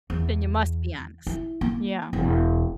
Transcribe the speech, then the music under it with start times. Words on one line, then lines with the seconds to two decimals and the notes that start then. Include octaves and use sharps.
Then you must be honest. Yeah.
0.10 E2
1.27 E4
1.61 A#3
2.13 E1